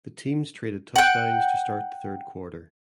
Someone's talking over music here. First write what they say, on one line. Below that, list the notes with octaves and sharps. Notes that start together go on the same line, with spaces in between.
The teams traded touchdowns to start the third quarter.
F#5 G5